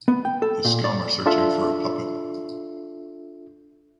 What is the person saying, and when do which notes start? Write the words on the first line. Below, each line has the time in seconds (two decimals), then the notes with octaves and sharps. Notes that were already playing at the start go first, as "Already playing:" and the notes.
The scum are searching for a puppet.
0.08 B3
0.25 G5
0.42 A4
0.65 A#2
0.84 D5
1.26 D4 F4 A4 E5